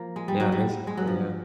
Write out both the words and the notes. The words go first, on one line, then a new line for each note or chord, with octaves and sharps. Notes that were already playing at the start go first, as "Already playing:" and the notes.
Yeah, basically, yeah.
Already playing: F3 A#3
G#3
G3
F#3
G3
G#3
F#3
F3